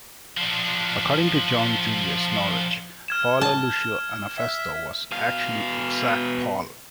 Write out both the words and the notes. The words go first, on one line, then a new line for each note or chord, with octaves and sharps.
According to John Julius Norwich, Paolo Lucio Anafesto was actually Exarch Paul.
F3 D4
F6 G#6 E7
A5
E5
B2 F5